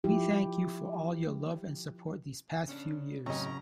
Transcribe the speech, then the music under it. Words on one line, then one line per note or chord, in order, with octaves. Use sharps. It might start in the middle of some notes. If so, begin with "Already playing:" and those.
We thank you for all your love and support these past few years.
F3 E4 G4
C#3 C#4 D4
F#2 A2 C#3 F#3 C4 C#4 D#5 A#5